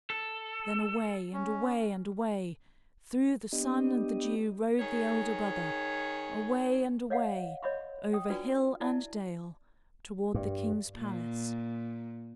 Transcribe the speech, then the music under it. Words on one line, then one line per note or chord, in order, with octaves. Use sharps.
Then away, and away, and away, through the sun and the dew rode the elder brother--away and away over hill and dale toward the king's palace.
A4
C#4
B3 D4 G4 D#5
D#3 G#4 C#5
C#5 D#5 F5 F#5
C#5 D#5 E5 B5 C6
G5 D#6
D4 F4 F#4 B4 D5
E4 D5 E5 A5
G2
A#2